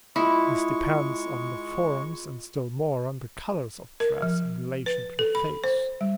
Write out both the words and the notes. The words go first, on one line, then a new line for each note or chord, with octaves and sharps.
This depends on the forms and still more on the colors of dress in relation to the face.
G#3 E4 F4 B5 C#6 D#6
A#4
F3
B4
A4
B5
C5
G3